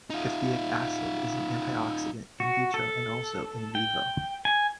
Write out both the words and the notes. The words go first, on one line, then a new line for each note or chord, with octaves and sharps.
Caffeic acid is an antioxidant "in vitro" and also "in vivo".
D#4 F4
F#4
A4
G5
G#5